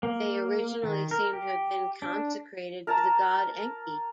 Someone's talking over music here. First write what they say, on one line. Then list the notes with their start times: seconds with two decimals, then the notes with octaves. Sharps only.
They originally seem to have been consecrated to the god Enki.
0.03 A#3
0.83 D#3
1.11 A#4
1.33 G4
2.02 D4
2.87 A#4 A5 A#5